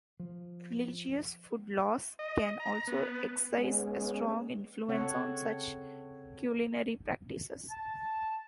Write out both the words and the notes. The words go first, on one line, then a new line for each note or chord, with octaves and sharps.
Religious food laws can also exercise a strong influence on such culinary practices.
F3
D#5
A#5
B3
G#3 B3 C#4
C#3 C4 A4 C#5 F#5
A5